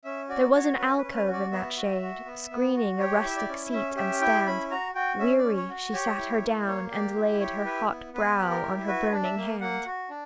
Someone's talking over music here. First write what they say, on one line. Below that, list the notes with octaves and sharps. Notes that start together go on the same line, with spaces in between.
There was an alcove in that shade, Screening a rustic seat and stand; Weary she sat her down, and laid Her hot brow on her burning hand.
C#4 E5
F#4 D5
F#4 C#5
C#4 B4
B4
C#4
B4
F#4
D5
B3 E5
F#4
F#4
B3
B3
F#4
G4 C#5
E4
E5
D5
C#4
C#4 E5
G4 E5
E4 G5
C#4 B5
F#4 A#5
F#4 G5
C#4 E5
D5
C#4
C#5
F#4
G4 C#5
E4
A#3
A#3 C#5
G4 D5
E4
G4 C#5
E4 B4
B3
B3 B4
G4
A#4
E4
F#4 B4
D4
E5
A#3
A#3 F#5
F#4
D4